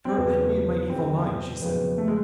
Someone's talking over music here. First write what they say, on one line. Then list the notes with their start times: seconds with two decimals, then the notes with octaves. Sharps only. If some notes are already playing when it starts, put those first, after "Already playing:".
'To repent me of my evil mind,' she said.
0.05 C4
0.17 E2 C#3 F#3 B3
0.89 E2 C#3 F#3 C4
1.62 F2 C#3 F#3 B3
1.98 A3
2.08 G#3